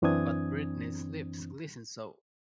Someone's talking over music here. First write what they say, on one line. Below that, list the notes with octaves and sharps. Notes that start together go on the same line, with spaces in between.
But Britney's lips glisten so...
F#2 E3 C4 D4 D#6 G#6